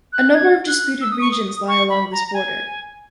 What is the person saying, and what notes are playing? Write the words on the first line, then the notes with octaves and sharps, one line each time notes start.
A number of disputed regions lie along this border.
F#6
G#6
F#6
E6
D#6
C#6
D#6
C#6
B5
A#5
A#5
G#5